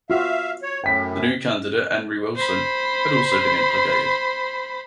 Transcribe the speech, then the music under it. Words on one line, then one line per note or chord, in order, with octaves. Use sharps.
The new candidate, Henry Wilson, had also been implicated.
F4 F#4 E5 F5
C#5
F#2 A2 G5 B6
C5 B5